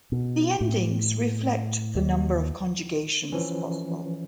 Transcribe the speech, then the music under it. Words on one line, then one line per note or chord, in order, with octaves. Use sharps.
The endings reflect the number of conjugations possible.
B2
A2
D#2
E3 F3 C#4